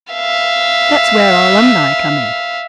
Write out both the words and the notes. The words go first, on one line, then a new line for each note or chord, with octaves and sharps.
That's where our alumni come in.
E5 F5